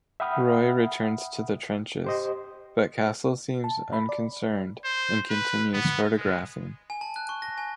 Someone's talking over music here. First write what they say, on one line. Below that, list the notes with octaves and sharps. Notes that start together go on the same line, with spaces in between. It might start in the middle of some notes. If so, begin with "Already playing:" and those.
Roy returns to the trenches but Castle seems unconcerned and continues photographing.
E5 F#5 G5 B5 D#6 F6
G4 C5 D#5
A5
B5
D5
C5
B4
B3
G#3
G#5
A5
F#6
C#6
A#6
G#5